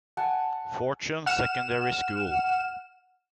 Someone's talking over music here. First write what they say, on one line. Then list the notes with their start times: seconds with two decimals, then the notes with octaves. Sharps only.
Fortune Secondary School.
0.17 F#5 G#5 A5
1.26 F#5 F6 E7